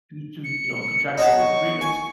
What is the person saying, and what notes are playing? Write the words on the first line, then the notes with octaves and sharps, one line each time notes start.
due to, you know, contractual agreements
C#7
D#4 C#5 F#5 A5
C#6
G#5